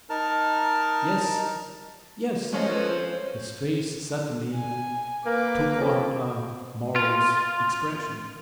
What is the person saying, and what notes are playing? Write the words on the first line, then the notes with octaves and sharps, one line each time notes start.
"Yes... yes..." His face suddenly took on a morose expression.
D#4 A#4 A5 F6
F3 G#3 C#4 G#4 D#5
F4 A4 B4
C5
G#5
A#3 B4 D6
F2
F4